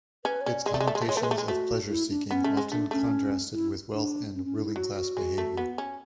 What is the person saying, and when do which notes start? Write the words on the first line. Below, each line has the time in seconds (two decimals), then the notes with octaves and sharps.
Its connotations of pleasure-seeking often contrasted with wealth and ruling class behavior.
0.25 C#4 B4
0.41 C#5
0.46 C#4 D5
0.66 G#3 D5
0.74 A3
0.80 G#3
0.87 A3
0.95 G#3
1.01 A3
1.07 G#3 C#5
1.16 A3 A4
1.21 G#3 B4
1.31 A3
1.35 G#3 G#4
1.48 A3 F#4
1.89 E4
2.09 D4
2.30 B3 C#4
2.44 A3
2.57 G#3
2.71 A3 D4
2.91 A3 C#4
3.53 E4
3.94 D4
4.35 C#4
4.45 C#4
4.56 D4
4.65 E4
4.76 F#3 F#4
4.96 F#4
5.17 G#3
5.38 A3
5.57 B3
5.78 C#4